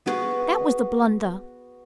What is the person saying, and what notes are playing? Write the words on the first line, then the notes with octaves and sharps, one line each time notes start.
That was the blunder.'
B3 E4 F#4 G#4 B4 F5